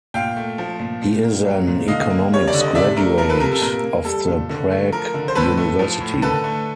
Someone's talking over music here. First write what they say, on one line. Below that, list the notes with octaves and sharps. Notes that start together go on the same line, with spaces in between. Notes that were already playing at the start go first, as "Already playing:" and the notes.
He is an economics graduate of the Prague University.
A#2 F5 G5
A3
F3
A#2
A#2
A#3
F#3
A#2
D3 D#5 F5
A#3
G3 C#5
D5
D3
D#5
C3 D5 E5
A3 A#4
F3 A#4
A4 B4
C3 A#4
A4
A#2 A#4
A#3
G3 A4
A#2
D3
A3
F3 A#4
D3
C5
A2 A4 B4
A3
F3
A2
D3 A4 B4
A3